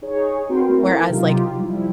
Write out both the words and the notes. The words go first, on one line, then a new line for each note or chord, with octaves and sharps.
whereas, like,
D#4 G#4 C#5
C4 F#4 A#4 B4 G5 C6
A3 C4 E4 A#4
C3 F#3 D#4 F4 G4
F3 G3 E4